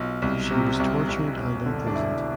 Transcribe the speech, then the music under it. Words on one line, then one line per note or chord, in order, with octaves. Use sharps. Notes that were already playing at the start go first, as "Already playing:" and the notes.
She was tortured and imprisoned.
Already playing: B1 F4
C2
C3
C2
C2
E1
D3
D4
E1 E4